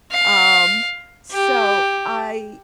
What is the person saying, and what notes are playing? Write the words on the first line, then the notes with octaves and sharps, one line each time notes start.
um, so I
F5
G4